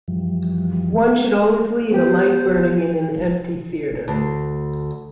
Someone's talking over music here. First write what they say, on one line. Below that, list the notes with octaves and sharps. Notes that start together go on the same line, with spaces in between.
One should always leave a light burning in an empty theatre.
F#2 E3 F3 G3
B3 G4 C5
D2